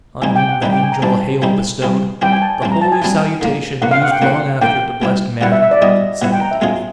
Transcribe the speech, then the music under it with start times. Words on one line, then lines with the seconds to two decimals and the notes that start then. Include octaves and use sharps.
On whom the Angel HAILE Bestowd, the holy salutation us'd Long after to blest MARIE, second EVE.
0.22 E3 G3 C4 D#4 G#5
0.35 G5
0.49 F#5
0.62 E3 G3 C4 D#4
0.73 G5
0.83 G#5
0.92 A#5
1.02 E3 G3 C4 D#4 A5
1.42 E3 G3 C4 D#4
1.82 E3 G3 C4
2.22 E3 G3 C4 G5
2.32 G#5
2.42 A5
2.62 E3 G3 C4
2.72 A#5
2.81 A5
2.92 G#5
3.02 E3 G3 C4
3.41 D3 F3 A#3
3.82 D3 F3 A#3 F#5
3.91 F5
4.02 F#5
4.11 G5
4.22 D3 F3 A#3 F#5
4.61 D3 F3 A#3 G5
5.02 B2 G3 B3 E4
5.41 B2 G3 B3 E4 F#5
5.52 E5
5.62 E5
5.71 D5
5.82 B2 G3 B3 E4 D#5
6.22 B2 G3 B3 E4 F#5
6.32 G5
6.41 A#5
6.51 E5
6.61 B2 G#3 C#4 F4 G#4